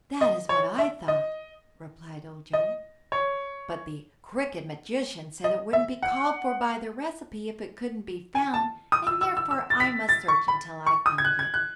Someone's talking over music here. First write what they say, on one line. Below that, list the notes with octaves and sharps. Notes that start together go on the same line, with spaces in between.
"That is what I thought," replied Ojo; "but the Crooked Magician said it wouldn't be called for by the recipe if it couldn't be found, and therefore I must search until I find it."
D#5
C#5
E5
D#5
D#5
C#5
D#5
E5
F#5
G#5
A5
D#6
E6
E6
E6
E6
A6
B6
A6
C#6
B5
C#6
D#6
G#6
F#6
G#6
F#6